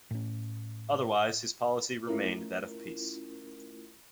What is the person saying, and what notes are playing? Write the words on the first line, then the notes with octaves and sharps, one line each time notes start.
Otherwise his policy remained that of peace.
A2 C#4
A3 C#4 E4 F4 A#4